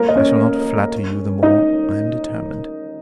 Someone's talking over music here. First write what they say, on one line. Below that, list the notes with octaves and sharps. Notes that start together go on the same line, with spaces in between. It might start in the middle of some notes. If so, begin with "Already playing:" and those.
I shall not flatter you the more, I am determined.
Already playing: A#3 A#4
D#5
C#4 C#5
D#4 D#5